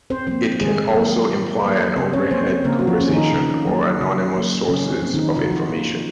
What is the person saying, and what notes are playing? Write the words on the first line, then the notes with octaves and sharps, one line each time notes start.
It can also imply an overheard conversation or anonymous sources of information.
C4 C5
F3 A#3 C4 C5
D#3 G#3 G#4
F#3 A#3 A#4
D#3
F#3 A#3
C#3 C4 C5
C#4 C#5
F3 A#3 C4 C5
C4 C5
C#3 A#3 A#4
F#4
F3 F4
F3 A#3 C#4
D#3 D#4
C#3
F#3 A#3
C#3
F#3 A#3
C#3 C#4
C4
F3 A#3
D#3 D#4
C#3 F4
F#4
F3 F4
F3 A#3